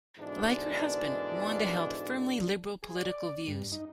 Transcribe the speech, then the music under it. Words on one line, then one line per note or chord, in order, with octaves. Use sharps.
Like her husband, Wanda held firmly liberal political views.
G#2 B2 D3 E3 D4
G#4
D5
G2
D#4